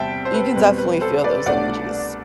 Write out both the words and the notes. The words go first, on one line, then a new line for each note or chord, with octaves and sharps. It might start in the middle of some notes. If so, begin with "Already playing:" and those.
you can definitely feel those energies.
Already playing: E2 C3 G3 C4 E5 G5 A5
C5
B4
E2 B2 G3 C4 B4
B4
A4 C5
B4 D5
C2 B2 A3 D4 D5 F#5